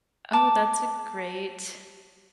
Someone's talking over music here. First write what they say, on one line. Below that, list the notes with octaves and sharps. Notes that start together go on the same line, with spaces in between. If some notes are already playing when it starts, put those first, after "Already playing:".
Oh, that's a great
A5 D6